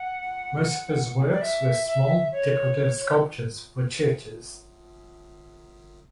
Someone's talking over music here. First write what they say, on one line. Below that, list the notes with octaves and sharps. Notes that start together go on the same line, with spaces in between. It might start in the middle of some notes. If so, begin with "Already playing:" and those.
Most of his works were small decorative sculptures for churches.
Already playing: F#5
D5
E5
E5
C#5